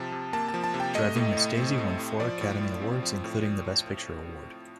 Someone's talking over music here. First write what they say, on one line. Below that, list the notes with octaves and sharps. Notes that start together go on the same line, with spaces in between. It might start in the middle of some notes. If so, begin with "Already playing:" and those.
"Driving Miss Daisy" won four Academy Awards, including the Best Picture award.
Already playing: C3 F3 A5
C3
A#3 A5
A5
F3
A5
C3
G5
A3 D#5
A2
A2
C4
A3
A2
F3 D5
A2
A2
C4
F3
A2